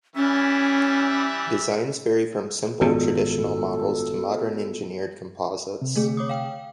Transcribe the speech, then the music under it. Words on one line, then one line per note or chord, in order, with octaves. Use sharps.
Designs vary from simple, traditional models to modern engineered composites.
E3 G3 C#4 E5
G#1 F#2 A#2 B3 F4 F#4 A4
C3
D3 A3 G#4
C#5 D6 D#6
F5 G5